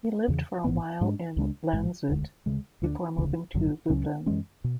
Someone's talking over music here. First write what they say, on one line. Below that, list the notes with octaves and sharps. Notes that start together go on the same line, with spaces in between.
He lived for a while in Lantzut before moving to Lublin.
E2 C#3 E3
A1 G#2 E3 B3
G#2 G#3 D4
C#2 C#3 G#3 D4
A1 G#2 E3 G#3
E1 D2 D3 G#3
D2 C#3 G#3
D2 D3 G#3 D4
E1 D2 C#3
G#1 F#2 D3 F#3
C#2 C#3 F#3 C#4
F#2 E3 G#3 C#4
B2